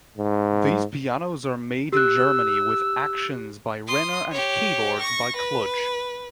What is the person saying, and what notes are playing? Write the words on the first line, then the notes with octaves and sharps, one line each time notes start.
These pianos are made in Germany with actions by Renner and keyboards by Kluge.
G#2
G4 E6 F#6
C6 D#6
G4 C#5
C#6 A#6
B4